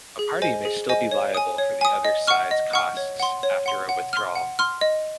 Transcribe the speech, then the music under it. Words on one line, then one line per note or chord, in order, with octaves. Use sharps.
A party may still be liable for the other sides costs after a withdrawal.
G#4
C5 D#5 G#5
G#4
C5 D#5 G#5
C#5
G#5 D#6
C#5
G#5 D#6
D#5
F#5 C#6 F6
D#5
F#5 C#6 F6
C#5
F#5 C6
C#5
F#5 C6
F#5
C6 F6
F#5
C6 F6
D#5